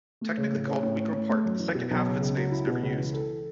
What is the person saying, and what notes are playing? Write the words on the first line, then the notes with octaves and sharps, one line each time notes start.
Technically called "Wigram Park", the second half of its name is never used.
A3
C#3
A2
C#4
A2
C#4
A2
A3
F#2
E3
B2
B1
C#3
C#2
F#3
E4
B2
C#2
E3
A4